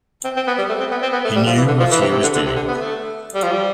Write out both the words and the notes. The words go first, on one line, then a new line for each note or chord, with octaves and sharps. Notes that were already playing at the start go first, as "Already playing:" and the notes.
He knew what he was doing.
C4
C4
B3
G3
A3
C4
B3
C4
B3
A3
G3
F3
E3
D3
F3
E3
C3
C3
D3
D3
C3
D3
B3
A3
G3
F3
G3